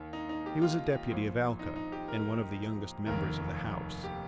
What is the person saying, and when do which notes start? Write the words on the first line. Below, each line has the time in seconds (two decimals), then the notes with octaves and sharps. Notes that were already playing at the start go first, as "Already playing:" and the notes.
He was a Deputy of Alca, and one of the youngest members of the House.
Already playing: D#2 D#3
0.13 D#4
0.29 D#4
0.46 G4
0.62 F4
1.11 A#1 A#2
1.59 D#4
1.76 D#4
1.92 G4
2.08 A#4
3.06 F1 D#2 D#3 A#4
4.04 G4